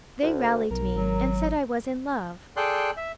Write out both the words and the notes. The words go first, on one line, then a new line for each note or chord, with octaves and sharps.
They rallied me, and said I was in love.
D2
B1 A#4
G#1 F#3
G#4 A4 D5 G5 C6 F#6
E5